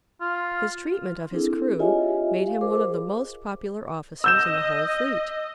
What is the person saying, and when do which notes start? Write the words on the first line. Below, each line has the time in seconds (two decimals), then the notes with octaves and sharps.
His treatment of his crew made him one of the most popular officers in the whole fleet.
0.21 F4
1.31 C4 D4 E4 G#4 A4
1.79 F4 G4 C#5 D#5 E5 G#5
2.47 F5
2.61 G#4 A#4 C5 D6
4.24 D#5 E6 G6 E7